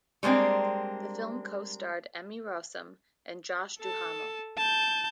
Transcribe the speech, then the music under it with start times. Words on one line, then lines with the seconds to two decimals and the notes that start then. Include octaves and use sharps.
The film co-starred Emmy Rossum and Josh Duhamel.
0.23 G3 G#3 A#3 C4 D4
3.80 A4 A5
4.57 A5 G6